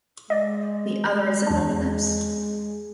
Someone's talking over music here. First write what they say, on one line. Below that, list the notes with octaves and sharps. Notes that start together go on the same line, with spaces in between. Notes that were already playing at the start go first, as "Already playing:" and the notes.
The other is anonymous.
G#3 D5 D#5
E2 D4